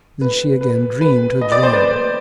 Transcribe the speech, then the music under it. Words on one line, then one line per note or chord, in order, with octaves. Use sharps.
Then she again dreamed her dream.
B4
B4
B4
D#5
D5
C5
B4 D5